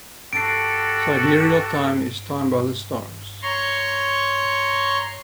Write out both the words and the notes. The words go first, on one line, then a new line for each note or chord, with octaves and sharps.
Sidereal time is time by the stars.
F#4 G4 A4 C7 D7
C#5 A#5 C6 C#6